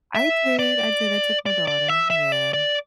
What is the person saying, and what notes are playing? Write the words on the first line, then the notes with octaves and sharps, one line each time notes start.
I did, I did, I took my daughter. Yeah.
E5
D5
D5
D5
E5
E5
D5
D5